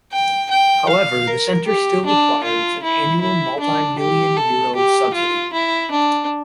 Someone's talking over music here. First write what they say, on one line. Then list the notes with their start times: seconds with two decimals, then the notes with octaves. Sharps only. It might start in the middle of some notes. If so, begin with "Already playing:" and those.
However the centre still requires an annual multi million euro subsidy.
0.12 G5
0.51 G5
0.90 F5
1.27 A#4
1.67 G4
2.05 D4
2.44 F4
2.83 E4
3.21 E4
3.61 D4
3.99 G4
4.37 A4
4.75 G4
5.15 F4
5.53 E4
5.91 D4